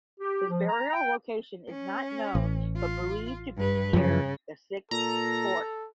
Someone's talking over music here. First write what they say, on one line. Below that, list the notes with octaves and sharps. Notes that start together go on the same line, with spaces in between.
His burial location is not known but believed to be near the Sixth Fort.
G4
F3
A#5
G5
C#4
A1
F4
G2 B4
F#2 C#3 F3
A#2 A4 A#5